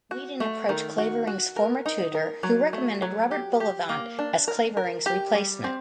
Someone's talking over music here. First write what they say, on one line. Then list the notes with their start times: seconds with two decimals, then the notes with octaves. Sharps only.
Weedon approached Clavering's former tutor who recommended Robert Bullivant as Clavering's replacement.
0.11 F#4
0.40 A3
0.69 D#3
0.98 F#4
1.27 F#4
1.56 A#4
1.86 D#4
2.14 A#4
2.43 F#3
2.73 A3
3.02 F#3
3.31 G4
3.60 G4
3.89 A#3
4.19 D4
4.48 A#4
4.77 A#4
5.06 G4
5.35 G3
5.64 C4